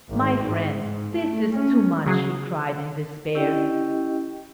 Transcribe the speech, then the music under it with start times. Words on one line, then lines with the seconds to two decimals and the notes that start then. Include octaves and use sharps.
"My friends, this is too much," he cried in despair.
0.11 G#1
0.45 G#2
0.78 G#2
1.14 A3
1.51 C#4
2.06 C#3 F#3 G#4 C7
3.35 C#4 E4 G4 D#5 G5